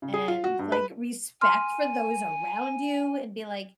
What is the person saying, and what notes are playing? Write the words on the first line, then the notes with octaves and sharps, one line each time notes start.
and, like, respect for those around you and be, like,
C#3
G#4
F4
F#4
G2
B4
G#5 C6 F6